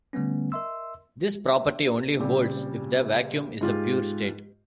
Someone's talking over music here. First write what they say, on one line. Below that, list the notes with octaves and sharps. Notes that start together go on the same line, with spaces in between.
This property only holds if the vacuum is a pure state.
D3 G3 A3 B3 C#4
A#4 D#5 E5 C6 E6
A#2 C#3 G3 C4 G4
G#2 F4 G4